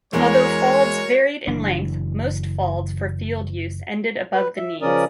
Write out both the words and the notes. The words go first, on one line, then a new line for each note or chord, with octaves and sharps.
Although faulds varied in length, most faulds for field use ended above the knees.
E2 E3 G#3 F#4 A#4 C#5
F#1 E3 D4
B4
E5
C#3 F3 C#4 A#4 D5 D#6